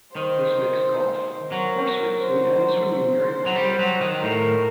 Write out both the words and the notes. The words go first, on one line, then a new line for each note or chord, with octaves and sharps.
This makes golf, horse racing and swimming very popular.
D#3 C5
F#3 A#4
C5
C5
F#3
G3
F#3
D#3
A2 A#4